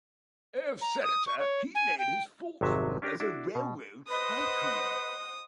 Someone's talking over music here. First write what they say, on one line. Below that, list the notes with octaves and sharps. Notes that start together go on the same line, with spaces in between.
Senator; he made his fortune as a railroad tycoon.
A#5
D#6
C#6
C#5
G#5
G5
G#1 F2 C3 F#3 E5
C#4 D4 G4 A#4 C#5
D4 E4 F#4
B2
B4 C5 D#5 F#5 D#6